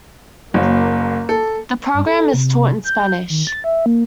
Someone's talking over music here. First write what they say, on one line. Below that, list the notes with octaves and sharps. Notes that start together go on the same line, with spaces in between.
The program is taught in Spanish.
F#1 F#3 A#3
A4
G2
A4
C3
G6
D#3
A6
E5
A#3